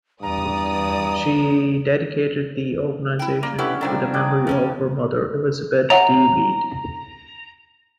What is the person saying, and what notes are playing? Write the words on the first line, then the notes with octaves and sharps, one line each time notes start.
She dedicated the organization to the memory of her mother, Elizabeth D. Wead.
E2 G2 D5 A#5 D#6
E4 G5
A#3 D5
D3 C#4 E4 G4 B4
D#3 F3 G3 D4 A4
D#3 G#4 D5
F3 C#4 A4
C#5 E5 F#5 A#5